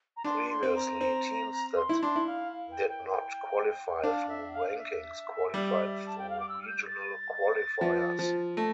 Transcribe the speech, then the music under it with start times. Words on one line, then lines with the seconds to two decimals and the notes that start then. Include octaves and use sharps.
Previously, teams that did not qualify through rankings qualified through regional qualifiers.
0.17 A#5
0.24 D4 C6
0.50 C6
0.63 C4
0.69 C6
0.76 A#5
1.01 C4
1.76 C6
1.89 E4
2.01 D4 C6
2.16 E4
2.27 F5
2.52 F5
2.71 G5
2.89 G5
3.09 G5
3.97 G5
4.03 D4 F5
4.29 E5
4.53 F5
4.68 F5
4.78 E5
5.54 G3
6.06 A5
6.18 G5
6.30 F5
6.40 D6
6.49 E6
6.62 F6
6.67 G6
6.87 A6
7.81 F3
8.19 F3
8.57 A3 A#6